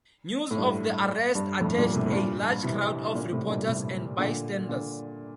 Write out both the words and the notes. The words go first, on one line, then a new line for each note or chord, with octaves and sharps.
News of the arrest attracted a large crowd of reporters and bystanders.
A2
G2
G2
F2 A2
G2 A#2
A2 C3
A2
G2 A#2
C3 E3
A#2 D3
A2 C3
G2 A#2
A2 C3
A#2 D3
A#2 D3